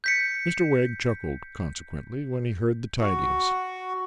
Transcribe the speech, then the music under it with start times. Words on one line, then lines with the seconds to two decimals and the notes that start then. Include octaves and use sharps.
Mr Wegg chuckled, consequently, when he heard the tidings.
0.04 G6 B6 C#7
2.98 F#4